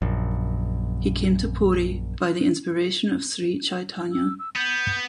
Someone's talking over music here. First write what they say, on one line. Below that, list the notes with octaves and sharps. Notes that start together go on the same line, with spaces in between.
He came to Puri by the inspiration of Sri Chaitanya.
A#1 F#2
E6
E6
B3 G6